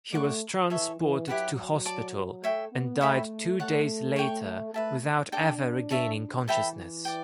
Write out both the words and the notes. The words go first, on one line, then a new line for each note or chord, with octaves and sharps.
He was transported to hospital and died two days later without ever regaining consciousness.
A3 D5 F#5 C#6
E3 A4 C#5 E5
E3
F#3 E4 G4 B4 F#5
D5 A5 D6
A3 C#5 E5 G5
B3
A3 C#5 E5 G5 B5
A3 A4 C#5 F#5
C#5 G5 C#6
A3 B4 E5 A5
D4 A4 D5 G5
A4 C#5 E5
E3 A4 E5 G5 B5
D5 G5